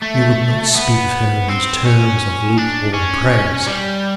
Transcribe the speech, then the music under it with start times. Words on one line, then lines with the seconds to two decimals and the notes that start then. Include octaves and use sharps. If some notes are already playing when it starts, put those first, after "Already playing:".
You would not speak of her in those terms of lukewarm praise.
0.02 A3
0.75 B3
1.48 C4
1.85 C#4
2.58 D4
2.94 C#4
3.67 G3